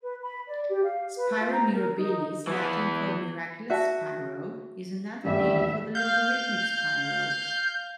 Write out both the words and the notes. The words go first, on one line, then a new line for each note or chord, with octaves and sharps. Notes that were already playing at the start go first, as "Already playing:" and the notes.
Spira mirabilis, Latin for "miraculous spiral", is another name for the logarithmic spiral.
B4
B5
D5
G4
F5
B4
F4
A#5
A#4
D#4
E3 B3
F#4 E5 A5
D#1 A1 E2 G3 E5
F5 G6